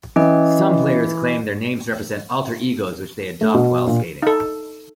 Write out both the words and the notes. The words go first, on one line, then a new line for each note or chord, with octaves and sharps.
Some players claim their names represent alter egos which they adopt while skating.
E3 C#4 D#5
A3
B2
A#2
D#4 A4